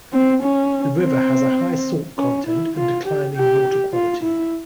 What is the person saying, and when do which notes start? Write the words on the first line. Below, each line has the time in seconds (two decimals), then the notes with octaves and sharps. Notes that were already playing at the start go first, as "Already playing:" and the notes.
The river has a high salt content and declining water quality.
0.13 C4
0.42 C#4
1.00 C4
2.18 C#4
2.47 E4
2.77 F4
3.06 G4
3.35 G4
3.93 F4
4.23 E4